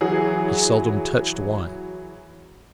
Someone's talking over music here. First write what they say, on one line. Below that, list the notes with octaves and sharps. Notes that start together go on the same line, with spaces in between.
He seldom touched wine.
E3 F#3 G#4